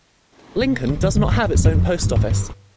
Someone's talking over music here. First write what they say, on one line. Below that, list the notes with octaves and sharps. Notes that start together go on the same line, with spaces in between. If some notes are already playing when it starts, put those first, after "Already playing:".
Lincoln does not have its own post office.
C3
D3
D#3
D3
G#2
G#2
F2
G2
F2
G2
G#2
G2